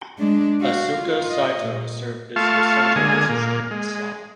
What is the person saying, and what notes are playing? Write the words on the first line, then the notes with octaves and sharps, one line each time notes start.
Asuka Saito served as the center position of this song.
G#3 D4
F#4 F5
F4
D#5
A#2
A3 F4 F5 A5 C#6
D3 G#3 A#3 G#5 D#6
A#2 A#3
G#3